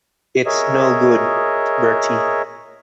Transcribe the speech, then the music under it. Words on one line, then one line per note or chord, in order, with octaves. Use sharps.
It's no good, Bertie.
G#4 A#4 C#5 D#5 E5